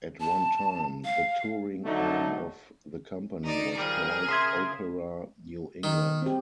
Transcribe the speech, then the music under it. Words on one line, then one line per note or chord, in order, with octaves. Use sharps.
At one time, the touring arm of the company was called Opera New England.
A5
F5
D3 F#3 A3 D#4
D#3 D#4 D5
F3 G3 G#4 A#4
C#3 E5 C6 D#6 G#6
D#3
C4 G4